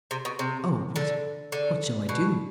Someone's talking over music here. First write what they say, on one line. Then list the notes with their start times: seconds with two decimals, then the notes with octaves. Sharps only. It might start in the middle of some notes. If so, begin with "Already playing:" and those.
Oh, what!--what shall I do?
0.11 C3
0.25 B2
0.39 C3
0.96 D3
1.52 D3
2.09 B2